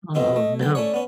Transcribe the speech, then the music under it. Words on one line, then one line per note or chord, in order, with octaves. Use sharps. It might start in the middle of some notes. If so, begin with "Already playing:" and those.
Oh, no.
F2 B2 C4 D#5
A3
B1 D3 G5
A3 C#4 C#5 D5
B3 C#4